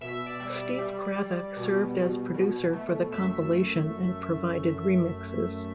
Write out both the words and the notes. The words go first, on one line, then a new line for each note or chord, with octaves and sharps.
Steve Kravac served as producer for the compilation and provided remixes.
B2 E5
D5
G3
D5
G3
G3
B2
B2
B2
A3
F#2 E5